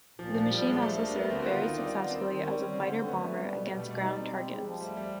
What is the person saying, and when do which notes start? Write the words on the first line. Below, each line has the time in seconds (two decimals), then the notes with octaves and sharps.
The machine also served very successfully as a fighter-bomber against ground targets.
0.19 A#2 F3
0.34 F3 D4
0.50 G3 D4
0.66 G#3 D4
0.82 F3 A3
0.98 A#3 D4
1.15 A3 B3
1.30 D3 C4
1.40 F#4
1.46 B3 F4
1.62 D#3 D#4
1.78 G3 D4
1.94 B3
2.10 D#3 C4
2.26 D#3
2.42 G3 C#4
2.57 G3
2.73 D3 C4
2.89 D3 C#4
3.05 A3 B3
3.22 A3
3.37 G3
3.53 B2
3.69 B2 G3
3.80 A3
3.85 B2
3.91 A3
4.01 G3 D#4
4.17 C4
4.33 C4
4.49 G#3
4.64 F3
4.81 G3 A3
4.97 F3 G3